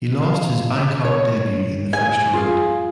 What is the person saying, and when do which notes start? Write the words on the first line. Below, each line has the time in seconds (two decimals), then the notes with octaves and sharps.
He lost his Bangkok debut in the first round.
0.22 F5
1.05 C#5
1.93 G#5
2.33 F4 G#4 F5